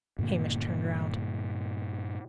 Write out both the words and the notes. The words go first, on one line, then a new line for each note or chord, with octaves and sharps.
Hamish turned round.
G2 A#2 D3 A#3